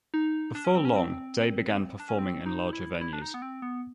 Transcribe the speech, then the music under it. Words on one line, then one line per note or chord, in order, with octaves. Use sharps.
Before long, Day began performing in larger venues.
D#4
D4
C#4
C4
C#4
C4
D4
C#4
C4
D#4
E4
E4
D4
D#4
B3
C4
B3